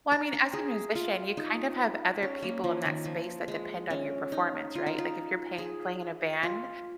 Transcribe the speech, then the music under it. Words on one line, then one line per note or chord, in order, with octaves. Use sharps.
Well, I mean, as a musician, you kind of have other people in that space that depend on your performance, right? Like, if you're paying playing in a band
A#4
A#4
G#4
F4
D#4
C#4
A#3
F3
D#3
F3
G#3
C#4
D#4
F4
D#4
F4
G#4
F4